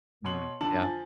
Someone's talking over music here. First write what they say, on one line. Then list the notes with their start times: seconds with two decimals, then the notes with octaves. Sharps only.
Mm, yeah.
0.25 B2 C#5 C6 F#7
0.61 F2 D3 A5 F#7
0.81 F3 G#5 A6